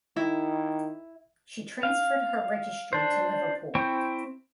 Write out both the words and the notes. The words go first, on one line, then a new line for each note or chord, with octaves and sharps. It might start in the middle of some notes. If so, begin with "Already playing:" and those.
She transferred her registry to Liverpool.
D#3 E4 E5
F5
D4 C5
C4 E4 C5 G5 C#6